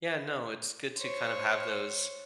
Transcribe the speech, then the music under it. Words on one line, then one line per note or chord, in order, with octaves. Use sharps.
Yeah. No. It's good to kinda have those
C5 C#5